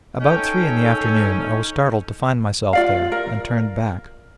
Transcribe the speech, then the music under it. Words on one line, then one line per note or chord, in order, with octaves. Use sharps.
About three in the afternoon I was startled to find myself there, and turned back.
C#4 D#4 A4 G5
F4 D5 F5
A#4